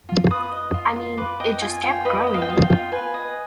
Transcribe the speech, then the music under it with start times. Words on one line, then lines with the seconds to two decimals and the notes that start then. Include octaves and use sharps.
I mean, it just kept growing!
0.09 F4
0.30 B4 D#6
0.52 D#5
0.74 F4
0.96 F4
1.17 B4 D6
1.40 D#5 G5
1.61 F4 G#5
1.83 F4 G5
2.05 B4 D#5
2.27 D#5
2.34 F5
2.42 G5
2.48 F4 F5
2.64 G5
2.70 F4
2.92 B4 G#5
3.14 D#5